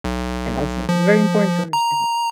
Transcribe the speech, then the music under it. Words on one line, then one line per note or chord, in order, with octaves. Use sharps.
and honestly, it's very important to understand that,
B1
F3
A#5